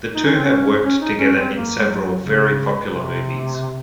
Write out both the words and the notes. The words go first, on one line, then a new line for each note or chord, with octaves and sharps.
The two have worked together in several very popular movies.
D#4
C#4
C4
C#4
C#4
D#4
C#4
C4
A#3
G#3
F#3
C#3
C3